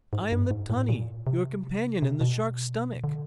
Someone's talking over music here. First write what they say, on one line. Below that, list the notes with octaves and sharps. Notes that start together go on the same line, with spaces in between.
"I am the Tunny, your companion in the Shark's stomach."
G#2
G2
G#2
A2
A#2
C3
C3
B2
D3